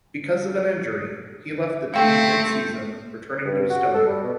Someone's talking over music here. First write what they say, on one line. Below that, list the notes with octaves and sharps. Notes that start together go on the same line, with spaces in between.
Because of an injury, he left the team mid-season, returning to Estonia.
A3 C4 F5 G5
G2
F#4
A4
G3
B2